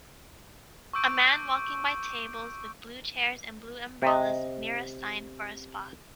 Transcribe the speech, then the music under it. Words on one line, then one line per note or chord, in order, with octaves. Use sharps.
A man walking by tables with blue chairs and blue umbrellas near a sign for a spa.
C#6 D6 E6 G6 D7
C3 D#5